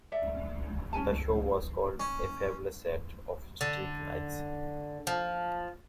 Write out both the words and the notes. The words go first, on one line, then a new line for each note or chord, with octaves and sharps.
The show was called "A Fabulous Set of Steak Knives".
A4 D5 E5
C#4 A#4 G#5 A5
C#4
D3
F3